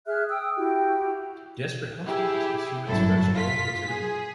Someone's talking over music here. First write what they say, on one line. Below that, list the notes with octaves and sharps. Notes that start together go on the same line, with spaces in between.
"Desperate Housewives" is Huett's first role for television.
G#4 E5 F6 F#6
G5 D#6 E6
E4 F#4 G4 G5
E4 G4 G#4
G1 F#2 A2 F#3 E4 A4
F4 B6
G#4